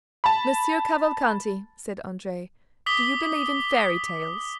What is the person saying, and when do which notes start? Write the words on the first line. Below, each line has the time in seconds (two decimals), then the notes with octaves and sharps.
"Monsieur Cavalcanti," said Andrea, "do you believe in fairy tales?"
0.24 A5 B5
2.86 D6 D#6 B6 G7